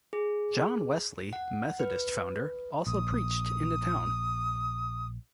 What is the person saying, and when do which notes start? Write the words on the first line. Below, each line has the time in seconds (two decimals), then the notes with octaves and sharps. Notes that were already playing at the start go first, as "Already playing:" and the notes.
John Wesley, Methodist founder, also preached in the town.
0.13 G#4
1.33 F#5
1.79 B4
2.87 A#1 D#6